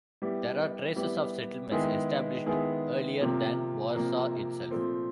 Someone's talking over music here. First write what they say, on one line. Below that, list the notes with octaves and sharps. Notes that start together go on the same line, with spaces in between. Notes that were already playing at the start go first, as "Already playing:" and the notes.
There are traces of settlements established earlier than Warsaw itself.
G3 B3 E4 G4
G3 B3 E4 G4
D#3 G#3 B3 E4 G#4
D#3 G#3 B3 E4 G#4
C3 F3 A#3
C3 F3 A#3
A#2 F3 A3 C4